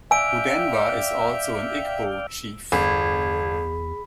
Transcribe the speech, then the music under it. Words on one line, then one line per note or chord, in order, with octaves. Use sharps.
Udenwa is also an Igbo chief.
D5 E5 F5 G5 G#5 E6 D7
G1 E2 G#4 B5 B6